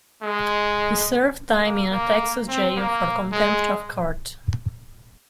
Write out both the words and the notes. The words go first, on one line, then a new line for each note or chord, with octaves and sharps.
He served time in a Texas jail for contempt of court.
G#3
A#3
A#3
C4
A#3
G#3